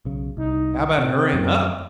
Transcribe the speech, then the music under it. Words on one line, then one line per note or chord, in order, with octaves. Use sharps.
"How 'bout hurryin' up?"
B1 C#3
C2 D#4
C3 C4
F#2